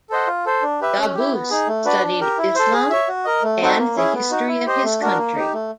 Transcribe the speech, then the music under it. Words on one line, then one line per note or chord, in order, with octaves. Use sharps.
Qaboos studied Islam and the history of his country.
A4 C5 D#5 F#5
F4
A4 C5
D4
G4 B4 E5
C#4
E4 G4
B3
D#4 G#4
A3
D4 F#4 B4 D5
D4
G4 A#4
E4
A4 C5
G#4
C#5 E5
F#4
A#4 D#5
A3
C4 D#4 F#4 A4
A#3
C#4 E4 G#4
B3
D#4 F#4
E4
G4 C5 D#5
A3
D4 F#4 A#4
A#3
D#4 G4
A3